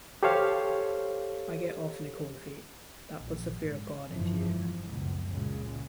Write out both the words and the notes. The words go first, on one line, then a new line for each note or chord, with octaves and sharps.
I get awfully cold feet. That puts the fear of God into you.
G4 A4 C5 C#5 F5
A#1
G#2
G1 F2 G#2 E3 F3
C#2 F#2 B2
C#2 A#2 C#3 G#3